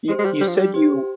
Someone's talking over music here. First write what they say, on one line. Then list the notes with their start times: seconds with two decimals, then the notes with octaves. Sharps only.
You you said you
0.08 G#3 G4 C5
0.19 G#3
0.25 G3
0.41 G3 D4
0.48 F3
0.56 G3
0.74 G4 C5